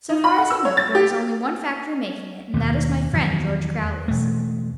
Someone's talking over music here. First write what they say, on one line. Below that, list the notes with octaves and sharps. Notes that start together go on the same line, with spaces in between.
So far as I know, there is only one factory making it and that is my friend, George Crowley's.
D#4
B5
F#5
E6
C#5
A6
G4
D#2 B2
E2 D#3 F#3
E1 A3